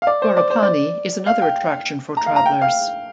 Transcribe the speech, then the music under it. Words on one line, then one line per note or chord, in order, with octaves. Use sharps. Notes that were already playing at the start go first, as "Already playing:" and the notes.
Ghorepani is another attraction for travelers.
F5
D5
C5
D5
C5
D5
F5
G5
A#5
F5
A#5
G5
F5